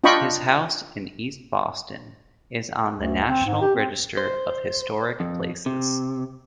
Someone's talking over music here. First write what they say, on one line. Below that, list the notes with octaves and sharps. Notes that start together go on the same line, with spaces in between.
His house in East Boston is on the National Register of Historic Places.
D4 F4 D#5 G5 B5 C#6
D2
C4
G#2
G4
C4
C5
F2
C3